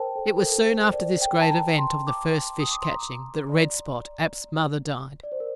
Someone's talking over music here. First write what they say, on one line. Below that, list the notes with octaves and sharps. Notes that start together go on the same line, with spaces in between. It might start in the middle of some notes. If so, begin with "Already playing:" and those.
It was soon after this great event of the first fish-catching that Red-Spot, Ab's mother, died.
Already playing: A#4 C5 G5 A5
A4
A4
A#4
A4
C5
D5
G5
A5
A#5
C6
D6
D#6
D6
C6
A#5
D5
D5
C5
A#4